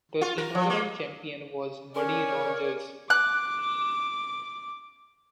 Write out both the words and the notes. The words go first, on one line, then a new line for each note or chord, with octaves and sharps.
The inaugural champion was Buddy Rogers.
F4
A#4
F3
A#3
C#4 A#4 C#5 D5
D6 F#6